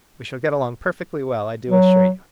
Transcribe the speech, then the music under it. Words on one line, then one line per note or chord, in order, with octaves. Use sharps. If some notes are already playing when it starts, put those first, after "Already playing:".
We shall get along perfectly well, I do assure you.
F#3